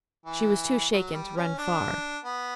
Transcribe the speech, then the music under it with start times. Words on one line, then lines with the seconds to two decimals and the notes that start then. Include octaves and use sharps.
She was too shaken to run far.
0.26 E3
0.92 F#3
1.14 G3
1.36 C#4
1.58 D4
2.24 B3